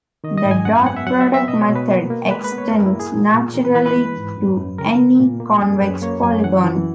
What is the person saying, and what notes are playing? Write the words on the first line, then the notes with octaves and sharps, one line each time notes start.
The dot product method extends naturally to any convex polygon.
D#3 D#5
D#5
G#2
G#5
F#2 F#5
G#5
B3 F#5
E5
F#3 F#5
E5
B3
E5
B2 D#5
C#5
B2
B4
A#3
A#3
G#3 B4
B4
B3
C#5
F#2 A#4
E4
A#3
G#4
A#2
A#2
E3 A#4
B4
E3 B4
B4
G#3
G#2
F#2
F#2
C#3 A#4
B3
A#2
A#3
F#2 G#4
F#2 B4
A#3 C#5
F#2 G#5
E3 F#5
E3